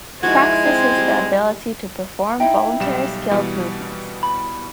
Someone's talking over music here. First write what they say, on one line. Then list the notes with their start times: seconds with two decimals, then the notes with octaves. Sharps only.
Praxis is the ability to perform voluntary skilled movements.
0.23 F3 G#3 D#4 E4 F#4 G#6
0.64 C4
0.98 G3
2.40 D#4 E4 E5 G5
2.80 B1 G3 E7
3.31 B2 E3 G3
4.23 B5